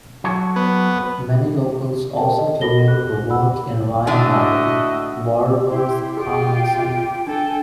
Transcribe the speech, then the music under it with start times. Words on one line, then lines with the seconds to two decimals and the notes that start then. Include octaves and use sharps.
Many locals also commute to work in the Rhine Valley, Vorarlberg's economic centre.
0.24 F#3 A4 C#5
0.56 B3
2.17 A4 A#4 G5 A5
2.38 D#5
2.61 F#4 A4 A#4 B5 A#6 G7
2.88 F#6
3.29 F#5 B5 E6
4.07 A2 D3 D4 F#4 D#5 E5
5.68 E4 G4 C6
6.17 F4 G4 G#4 G5
7.27 D4 A4 G5 G#5